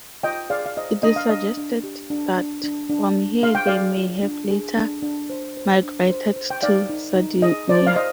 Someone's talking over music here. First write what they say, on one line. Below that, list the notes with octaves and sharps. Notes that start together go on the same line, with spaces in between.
It is suggested that from here they may have later migrated to Sardinia.
F4 D#5 G5
G#4 D5 F5
F5
C5 D#5
D4 D#5
F5
D4 D#5
D4
G4
D4
D4
D4
D4
D4
G#4 F5
G5
G#4 D5 F5
F4
D4
G#4
D4
D4
C5
C5
D4
C5
C5
G5
D#4 D5 F5
D#4
D#4
G#4 D#5
C5 D5
F5
C5 D#5